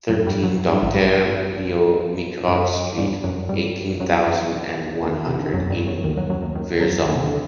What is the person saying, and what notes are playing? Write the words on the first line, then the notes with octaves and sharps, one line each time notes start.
Thirteen Docteur Léo Mérigot street, eighteen thousand and one hundred in Vierzon.
F#2 F#3
G2 G3
F#2 F#3
G2
A1 A2
G2 G3
F#2 F#3
G2 G3
F#2 F#3
G2 G3
F#2 F#3
D#2 D#3
C3
D3
D#3
F#2 F#3
G2 G3
F#2 F#3
D#2 D#3
F#2 F#3
F#2 F#3
D#2 D#3
D#2 D#3
F#2 F#3
D#2 D#3
C3
D3